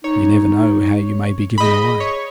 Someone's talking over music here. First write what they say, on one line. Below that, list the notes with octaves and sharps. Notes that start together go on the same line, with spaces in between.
You never know how you may be given away.
D#4 C#5
G#4 D#5 B5
C#5